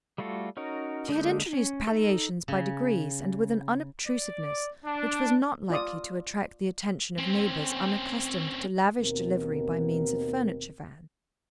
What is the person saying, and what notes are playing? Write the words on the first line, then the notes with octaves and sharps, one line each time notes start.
She had introduced palliations by degrees and with an unobtrusiveness which was not likely to attract the attention of neighbours unaccustomed to lavish delivery by means of furniture vans.
G3 A3 F4 F#4 A4
C#4 D#4 F#4 A#4
D3 G#3 A#3 G6
C#4
D#4 A4
C#3
D5
D4
F4 D5 D#6
C4 C#4
D#2 B2 C4 A#4